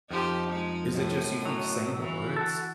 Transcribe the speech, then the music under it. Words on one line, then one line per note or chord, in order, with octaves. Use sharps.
Is it just you think saying the words?
F2 F3 D#4 G4
G#3 D#4
F#2 A2 D#5
F#3
E3
F#4 A4